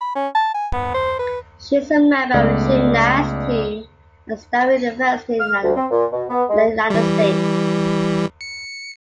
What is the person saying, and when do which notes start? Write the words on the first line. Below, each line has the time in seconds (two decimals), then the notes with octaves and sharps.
She is a member of gymnast team at Stanford University in the United States.
0.01 B5
0.15 C#4
0.35 A5
0.54 G#5
0.73 B3
0.94 C5
1.19 B4
2.34 C#2 A3 B3 D5
5.39 F6
5.63 D2
5.76 C4
5.90 A#2
6.12 B2
6.29 B3
6.49 G#3
6.90 E3 G3
8.41 C#7